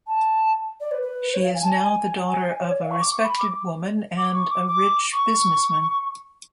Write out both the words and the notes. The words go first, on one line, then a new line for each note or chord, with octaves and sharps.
She is now the daughter of a respected woman and a rich businessman.
A5
D5
B4
B4
B4
C#5
F5
G#5
A5
G#5
G#5
C#5
D5
F5
C#6
D6
C#6
B5
D6
D6
C#6
D6
D6
C#6